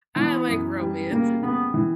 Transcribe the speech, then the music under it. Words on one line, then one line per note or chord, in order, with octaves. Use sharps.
I like romance.
E3 B3
F#2
G3
C#3 A#3
C#3 B3
E3